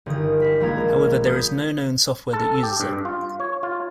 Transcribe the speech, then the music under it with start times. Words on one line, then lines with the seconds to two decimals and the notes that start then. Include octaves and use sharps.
However, there is no known software that uses it.
0.06 G1 D#3 D#6
0.39 G3 B6
0.60 A#1 G#3 A#3 A#5 G#6
1.26 D#6 G6 G#6 B6
2.33 A4
2.63 G4
2.80 G2
3.05 F4
3.40 C#5
3.63 F4